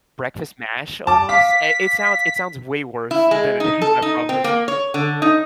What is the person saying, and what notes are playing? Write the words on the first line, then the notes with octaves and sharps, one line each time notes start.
breakfast mash almost, i it sounds it sounds way worse than it is, I promise.
A5 D6
F5 D6 B6
E4
G#3
D#4
A4
D#4
C4
A#3
C#5
D3
D#4